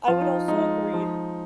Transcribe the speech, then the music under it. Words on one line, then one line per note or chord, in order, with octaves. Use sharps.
I would also agree
F3 F4
D#4
G#3 D#4
F3